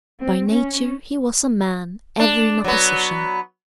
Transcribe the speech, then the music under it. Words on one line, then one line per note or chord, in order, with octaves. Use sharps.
By nature he was a man ever in opposition.
C4
C#4
D4
F#3 B3